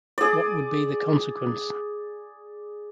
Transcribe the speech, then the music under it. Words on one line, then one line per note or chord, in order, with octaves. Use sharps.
What would be the consequence?
G#4 D5